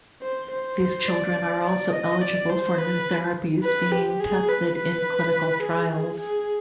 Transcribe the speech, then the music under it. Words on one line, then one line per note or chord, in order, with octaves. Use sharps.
These children are also eligible for new therapies being tested in clinical trials.
C5
C5
D5
D5
D#5
D5
C5
B4
B4
G4
G#4
B4
B4
G#4
G#4
G#4